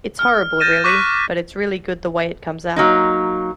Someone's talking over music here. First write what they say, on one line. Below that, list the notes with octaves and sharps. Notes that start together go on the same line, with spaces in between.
It's horrible really, but it's really good the way it comes out.
F6
G6 A6 A#6 D#7 E7
C#6 D6 F#6 A#6 B6 D#7
F#3 A#3 D#4